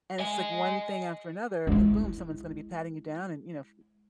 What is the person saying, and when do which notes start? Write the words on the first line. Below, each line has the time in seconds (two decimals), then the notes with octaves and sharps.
and it's, like, one thing after another, and boom, someone's gonna be patting you down and, you know, f
0.20 D#5 G#5
1.67 G#3 E4